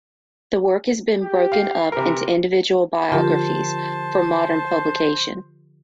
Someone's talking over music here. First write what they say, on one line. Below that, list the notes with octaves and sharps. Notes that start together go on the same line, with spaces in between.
The work has been broken up into individual biographies for modern publication.
G4
F5
C3 E3 A#4
D3 F3 F4 G4 A#4 C5 A5